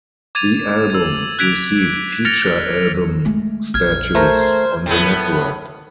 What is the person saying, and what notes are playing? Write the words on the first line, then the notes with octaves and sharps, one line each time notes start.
The album received feature album status on the network.
D6 G#6 A6 D#7 F7
E6 G#6
F#6 G#6 B6 D7 F7
F6 A6 A#6 C#7 F7
G#3 A3
A#1 F6 G#6
A3 A#4 C5
A2 B3